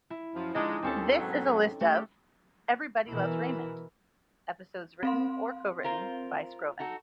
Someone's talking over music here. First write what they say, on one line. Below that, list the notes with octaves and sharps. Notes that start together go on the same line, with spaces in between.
This is a list of "Everybody Loves Raymond" episodes written or co-written by Skrovan.
E4
F#2 F3
D3 F3 G#3 D4 D#4 D#5
D#2 C4 C#4 A4
G#2 B2 F#3
A3 G4
B2 E3 E4 A#4
C4 F5 C6
F4 A#4 C5
D#4 F#4 A4